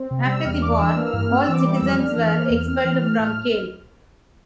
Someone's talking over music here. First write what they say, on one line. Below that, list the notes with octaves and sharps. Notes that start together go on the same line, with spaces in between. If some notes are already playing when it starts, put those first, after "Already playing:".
After the war, all citizens were expelled from Kehl.
Already playing: C4
C3
G3 E6
E2 F6
D4 D6
D6
E3 E6
A#3 F6
E6
G2 F6
C4 F6
E6
E3
D6
G3 D6
E6
F2
F6
D4 F6
E3 F6
A#3
E2
C4 F6
E3
A3
A2